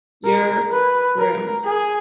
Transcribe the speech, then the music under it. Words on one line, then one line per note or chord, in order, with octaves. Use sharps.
Your rooms.
A#4
B4
A#4
G#4